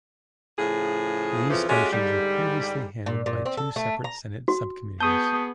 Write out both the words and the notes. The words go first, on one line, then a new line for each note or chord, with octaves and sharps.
These functions were previously handled by two separate Senate subcommittees.
A2 C#3 F3 G#4
F2 C#3 E3 F3
G#3 A3 C#4 F#4 G4
G#2 D3 G3
A#2
A#2
C4
A4
A3
A#5
F#4
B3 G#4 A5 C#6 D#6 G6